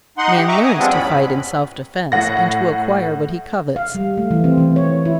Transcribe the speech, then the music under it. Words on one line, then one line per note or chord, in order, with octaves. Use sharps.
Man LEARNS to fight in self-defense, and to acquire what he covets.
D#4 F#5 C6
G4
D#5 E5 A#5 C#6 D6
G#5 D#6
F3 G3 G#3 B3 C4 D4
E2 G#2 C#4 B5
A2 F#5 A#6
F5
G3
A3
E3
C4
E3
C#5
E4